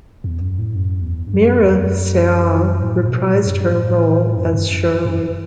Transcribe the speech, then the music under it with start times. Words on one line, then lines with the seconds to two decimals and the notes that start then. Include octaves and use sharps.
Meera Syal reprised her role as Shirley.
0.24 E2
0.41 F#2
0.59 A2
0.75 F#2
1.01 E2
1.27 G2
1.44 F#2
1.62 E2
1.79 F#2
2.82 A2
3.08 B2
3.33 A2
3.46 F#2
3.59 G2
3.72 A2
4.36 F#2
4.54 G2
4.71 F#2
5.05 F#2